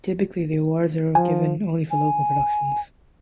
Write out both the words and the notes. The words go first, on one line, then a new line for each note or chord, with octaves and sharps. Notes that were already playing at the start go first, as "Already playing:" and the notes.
Typically the awards are given only for local productions.
F3 G#5
G#5